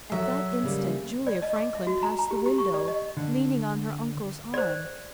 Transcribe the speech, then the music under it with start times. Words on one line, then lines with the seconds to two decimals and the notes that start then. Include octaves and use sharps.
At that instant Julia Franklin passed the window, leaning on her uncle's arm.
0.12 F#3 F#4 A4 E5
0.64 C#3 G3 A#3
1.27 D5
1.42 D#5
1.56 D6
1.75 E5
1.87 F#4
2.03 A#5
2.19 A#5
2.31 G4
2.46 G4
2.58 C#6
2.74 D5
2.88 D#5
3.17 D3
4.54 C5 D5